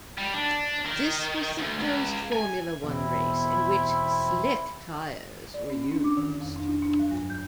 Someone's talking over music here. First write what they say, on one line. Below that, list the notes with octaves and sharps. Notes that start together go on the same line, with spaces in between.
This was the first Formula One race in which slick tyres were used.
G3
D4
D#3
D2
C#2
G#5
E2 B2 C4 E4
D5
C#4
D4
D6
D#3
F2
D4
E4
D4
F#3
G2
G6